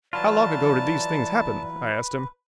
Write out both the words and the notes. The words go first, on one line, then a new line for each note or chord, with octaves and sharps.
"How long ago did these things happen?" I asked him.
E3 F#3 F4 B4 D5 A5